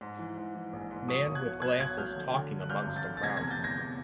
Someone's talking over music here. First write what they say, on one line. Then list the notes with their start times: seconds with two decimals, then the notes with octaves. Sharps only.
Man with glasses talking amongst a crowd.
0.01 G#2
0.19 E3
0.37 G#2
0.55 E3
0.73 A#1
0.91 G#2
1.08 F#3 C#6 D#6
1.26 B1
1.35 F#6 G#6
1.45 F#3
1.62 F#3 F#6 G#6
1.80 B1 F#6 G#6
1.98 F#3 F6 G6
2.16 D3
2.34 D3
2.52 D3
2.60 F#6
2.70 G#1 F6 G6
2.87 G2
2.96 G6 A6
3.05 D3
3.17 A6
3.23 C3 G#6 A#6
3.37 E2 G#6 A#6
3.50 G6 A6
3.59 E2
3.64 G#6 A#6
3.78 E2